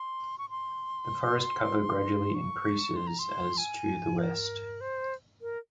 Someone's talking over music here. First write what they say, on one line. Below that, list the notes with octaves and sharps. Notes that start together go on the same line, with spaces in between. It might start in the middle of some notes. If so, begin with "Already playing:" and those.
The forest cover gradually increases as to the west.
Already playing: C6
C#6
C6
C#6
C6
A#5
C6
G#5
A#4
C5
A#4